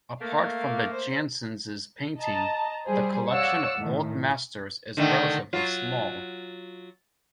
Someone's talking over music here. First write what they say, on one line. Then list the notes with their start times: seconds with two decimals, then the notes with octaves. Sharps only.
Apart from the Janssens' painting, the collection of Old Masters is relatively small.
0.20 A3 A#3 F5
0.93 C5
2.19 D#5 A5 A#5
2.85 G3 G#4 C5
3.29 C#5 D5 F5 F#5 E6 C#7
3.78 A2 D#3
4.97 D3 D#3 A3
5.53 F#3 F4